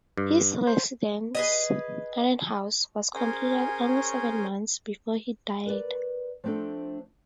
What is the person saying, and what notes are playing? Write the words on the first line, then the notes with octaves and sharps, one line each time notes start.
His residence, Arden House, was completed only seven months before he died.
G2
C5
G#4 B4 D#5
C#4 G#4 A#4 C5 C#5 G#5
A#4 B4 D5
F3 A3 C4 D4 A4